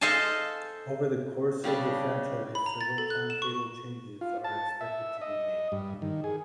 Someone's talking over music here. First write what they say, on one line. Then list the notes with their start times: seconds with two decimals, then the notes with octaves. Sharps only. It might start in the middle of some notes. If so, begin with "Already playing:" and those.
Over the course of the franchise several timetable changes are expected to be made.
0.01 A4 C5 D#5 F5 G#5 A5
1.64 C#3 G3 D4 A5
2.55 B5
2.66 A#5
2.81 A6
2.98 A4
3.10 F#6
3.30 E7
3.42 C#6
4.21 F4
4.44 A5
4.81 E5
5.21 D#5
5.72 G2
6.02 D#3
6.24 G#4